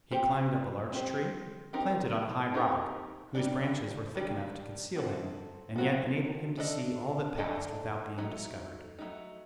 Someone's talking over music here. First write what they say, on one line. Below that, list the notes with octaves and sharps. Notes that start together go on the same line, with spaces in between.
He climbed up a large tree, planted on a high rock, whose branches were thick enough to conceal him, and yet enabled him to see all that passed without being discovered.
C4 G4 C5
C4 G4 C5
C4 D#4 G4 A#4
C4 D#4 G4 A#4
D#3 G3 D4
D#3 G3 D4
F#3 C4 F#4 A4
F#3 C4 F#4 A4
A3 D4 A4 D#5
A3 D4 A4 D#5
F#3 A3 D#4
F#3 A3 D#4